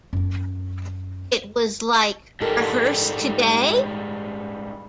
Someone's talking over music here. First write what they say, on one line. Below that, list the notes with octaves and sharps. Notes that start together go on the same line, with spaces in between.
It was like 'Rehearse today?
F#2 C#4
G#2 G3 G4 A4 A#4